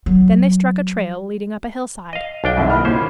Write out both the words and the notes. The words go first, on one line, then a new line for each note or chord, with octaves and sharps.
Then they struck a trail leading up a hillside.
F#3
D#5 F5
B1 D4 F5 G5
F#1 C2 C3 D#3 E3 E5 F#5
A#2 E4 D#5 B5 F6
D#2 A#2 C#3 C#4 C5